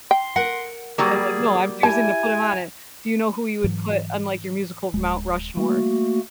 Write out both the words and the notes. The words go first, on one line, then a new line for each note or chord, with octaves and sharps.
and I'm, like, "No, I'm choosing to put him on it." Do you know who you would put on, like, your musical Mount Rushmore?
G5 C6
A#4 F#5
F#3 G3 A#3 G#4
E4 G4 G#5 A5
G#2 E3 F#3
D1 G#3
G3 A3 A#3 F#4